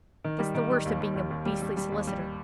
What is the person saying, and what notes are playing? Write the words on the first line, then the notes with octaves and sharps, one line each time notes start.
That's the worst of being a beastly solicitor.
D#3
G3
D#3
G3
D#2
D#2
D#2
D#2
G3
G3
G3
D#2
G3